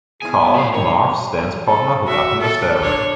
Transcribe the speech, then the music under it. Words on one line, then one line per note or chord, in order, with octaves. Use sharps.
Carl and Marv's dance partner hook up in the stairway.
E2 E4 G#4 G#5
A#2 E3 B3
A3 F5
D#3 C4 A#4 C#5
A4
F#4 E5
A4
D4 C#5